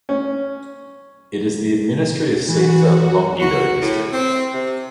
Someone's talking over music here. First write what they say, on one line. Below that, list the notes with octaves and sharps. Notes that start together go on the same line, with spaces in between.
It is the administrative seat for Longido District.
C#4
E3 F#4
F#4
A2
C4
C3